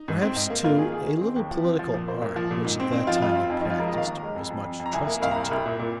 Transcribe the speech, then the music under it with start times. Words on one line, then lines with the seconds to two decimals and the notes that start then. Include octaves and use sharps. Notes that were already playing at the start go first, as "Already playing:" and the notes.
Perhaps, too, a little political art, which at that time he practised, was much trusted to.
Already playing: D#4
0.08 G#2
0.22 C4
0.36 G#2 D#4
0.50 A#3
0.64 A#3 F4
0.78 D#3 G#4
0.93 D#3 G#4
1.07 D#3
1.21 C4
1.36 D#2
1.51 F3
1.65 C4
1.79 F3
1.93 A#2
2.08 A#3 C5
2.22 A#2
2.36 F3
2.51 A#2
2.64 G#2
2.80 C4
2.93 C4 D#4
3.07 F3 F4
3.22 F2 F4
3.36 C4
3.50 F2 D#4
3.61 D#4
3.65 F3 F4
3.79 G#3 A#4
3.88 D#5
3.93 D#2 F5
4.07 D#2 A#5
4.23 G#3
4.36 F2
4.51 F2
4.65 F2
4.80 F2
4.86 A#5
4.93 C2 G#5
5.07 A#3
5.22 C2 F5
5.31 A#5
5.36 C2
5.51 C2
5.66 A#2
5.79 A#2